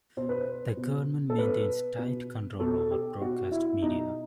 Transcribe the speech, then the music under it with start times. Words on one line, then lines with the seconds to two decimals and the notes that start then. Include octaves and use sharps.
The government maintains tight control over broadcast media.
0.17 B2 C5
0.29 B4
0.41 C5
0.77 B2
1.30 A4
1.38 B2 B4
1.99 B2
2.60 B2 A4
2.91 G4
3.22 B2 F#4
3.51 E4
3.82 B2 D#4